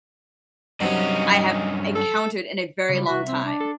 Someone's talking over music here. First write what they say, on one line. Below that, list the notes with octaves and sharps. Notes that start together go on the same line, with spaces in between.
I have encountered in a very long time,
G2 C3 F#3 C#4 D#4
A4
C#3 G3
C2 F#4 E5
C4
D4
A4